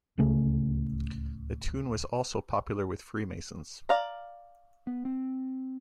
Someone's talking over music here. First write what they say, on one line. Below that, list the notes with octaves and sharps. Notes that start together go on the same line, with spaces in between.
The tune was also popular with freemasons.
D1 C#2 C#3 A3
D5 F5 A#5
B3
C4